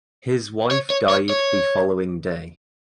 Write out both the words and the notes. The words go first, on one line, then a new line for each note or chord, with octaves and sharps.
His wife died the following day.
C#5
C#5
C#5
C#5